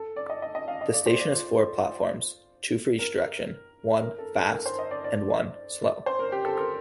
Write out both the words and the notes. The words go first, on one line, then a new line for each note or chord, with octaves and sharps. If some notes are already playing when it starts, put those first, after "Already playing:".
The station has four platforms, two for each direction: one "fast" and one "slow".
Already playing: A4
D5
D#5
D#5
D#5
F5
D#5
D5
C5
D5
F4
A#4
A#4
A4
A4
A#4
C5
D#5
D5
D5
C5
A#4
G4
A4
A#4